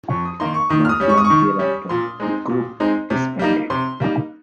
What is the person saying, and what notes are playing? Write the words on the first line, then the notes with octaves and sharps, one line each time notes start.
Not long thereafter, the group disbanded.
F2 C#6
D#6
D#3 A#3 D#4 C6
C#6
D#3 D#6
F6
D#6
G3 C#4
C#6
D#6
C#6
D#3
G3 C#4
A#2 C6
G#3 C4 D#4
A#2
G#3 C4 D#4
C3
G3 A#3 D#4
C3 C6
G3 A#3 D#4